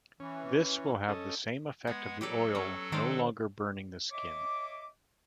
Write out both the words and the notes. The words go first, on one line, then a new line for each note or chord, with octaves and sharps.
This will have the same effect of the oil no longer burning the skin.
E3 C#4
C#4 A4 D#5
G#3 B3 F#5 G#6
F#3 G4 A4 B4 D5
C#4
D#3 D4 C5 D5 F5
C#5 D#5 E5 D6